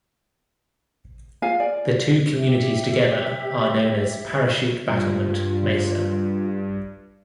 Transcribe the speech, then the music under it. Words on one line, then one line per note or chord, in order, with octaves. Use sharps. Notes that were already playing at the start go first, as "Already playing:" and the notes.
The two communities together are known as "Parachute-Battlement Mesa".
F4 F5 G#5
D5
G4 E5
G2 F4